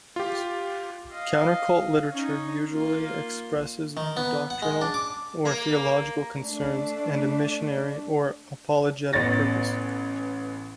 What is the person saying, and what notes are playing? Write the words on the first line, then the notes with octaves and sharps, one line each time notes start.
Countercult literature usually expresses doctrinal or theological concerns and a missionary or apologetic purpose.
F4 G4
D#5 F5
C#4 D#4
A#3 F4
D#3
B3
F#5
G#3
D4
D6
A#3
A3 D4
A1 B3 C#4 A6 A#6